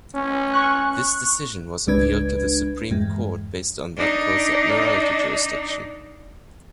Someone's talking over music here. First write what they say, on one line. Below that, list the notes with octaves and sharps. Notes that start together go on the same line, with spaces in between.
This decision was appealed to the Supreme Court based on that court's Admiralty jurisdiction.
C#4
C#6 F#6
G1 C#2 G#3 D4 B4 G#6
E2 G2 G#3
D4 D#4